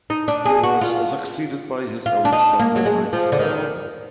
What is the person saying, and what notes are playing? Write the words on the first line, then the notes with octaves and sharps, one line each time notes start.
He was succeeded by his eldest son, the ninth Earl.
D#4
D4
G#4
F#4
F4
F4
D4
D#4
A#3
F#3
G#3
F3
D3
D#3